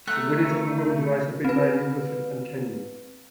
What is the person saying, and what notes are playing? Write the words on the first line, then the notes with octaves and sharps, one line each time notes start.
The winners of the women's race have been mainly Russian and Kenyan.
A3 A#5 F#6
C4 B4